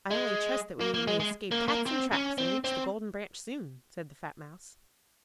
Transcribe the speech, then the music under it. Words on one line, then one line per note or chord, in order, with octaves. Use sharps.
'I only trust that we may escape cats and traps, and reach the Golden Branch soon,' said the fat Mouse.
G#3
A#3
A#3
G#3
G#3
A#3
A#3
C4
C#4
C4
C4